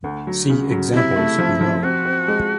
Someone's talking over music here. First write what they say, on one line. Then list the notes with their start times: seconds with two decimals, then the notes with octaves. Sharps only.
See examples below.
0.04 D2
0.27 F#3
0.50 C#3
0.71 F#3
0.93 C3 E4
1.16 A3
1.39 F3
1.61 F3
1.83 C4 F#4
2.05 C4
2.28 G#3